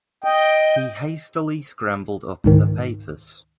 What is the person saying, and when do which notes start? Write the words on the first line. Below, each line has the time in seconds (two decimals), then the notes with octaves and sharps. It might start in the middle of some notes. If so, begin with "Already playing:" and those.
He hastily scrambled up the papers.
0.24 D#5 G5
2.44 C#2 G#2 D#3